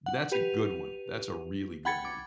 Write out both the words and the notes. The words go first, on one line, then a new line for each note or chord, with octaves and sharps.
but that's a good one, that's a really good one.
F#5
G4 B4 D#7 F7
F#5 G5 B5 G#6 A6 C#7
D6